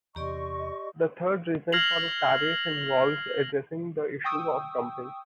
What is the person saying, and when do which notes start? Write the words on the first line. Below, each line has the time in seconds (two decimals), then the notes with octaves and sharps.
The third reason for a tariff involves addressing the issue of dumping.
0.16 E2 C3 G4 D5 D#5 C6 C#6
1.72 F6 G#6 A#6 C7 F7 F#7
4.24 G5 C#6 D#6 E6